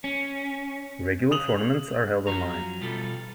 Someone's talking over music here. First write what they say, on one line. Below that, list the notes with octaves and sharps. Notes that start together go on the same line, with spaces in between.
Regular tournaments are held online.
C#4
C#3 D#6 F7 F#7
F#2 F3 F#3 C#4 A#5
B2 G3 F4 A4